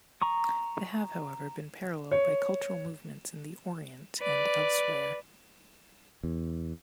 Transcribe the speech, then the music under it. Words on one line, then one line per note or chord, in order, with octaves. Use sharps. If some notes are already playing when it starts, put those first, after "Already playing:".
They have, however, been paralleled by cultural movements in the Orient and elsewhere.
A#5 C#6 D#6
C#5
B4 D5
E2